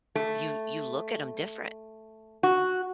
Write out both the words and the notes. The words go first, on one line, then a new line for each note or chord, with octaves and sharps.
you you look at him different.
A3
F#4